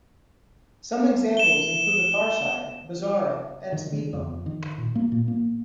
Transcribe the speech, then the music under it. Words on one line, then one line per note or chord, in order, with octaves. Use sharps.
Some examples include The Far Side, Bizarro, and Speed Bump.
E7 G7
D#3
D3
F2
D#3
A#2
A#3
A#2
A#3